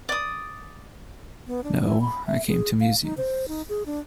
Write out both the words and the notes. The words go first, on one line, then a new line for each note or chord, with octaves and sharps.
No; I came to amuse you.
D5 D#6
B3
D4
E4
B5
E5
G#4
F5
D#4
C5
D#4
G#4
D4